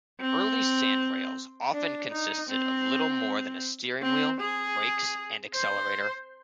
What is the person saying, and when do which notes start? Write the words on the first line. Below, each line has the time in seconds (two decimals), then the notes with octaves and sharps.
Early sandrails often consisted of little more than a steering wheel, brakes and accelerator.
0.20 C4
1.73 D4
2.12 D#4
2.50 C4
4.02 C4
4.40 G#4
5.54 C5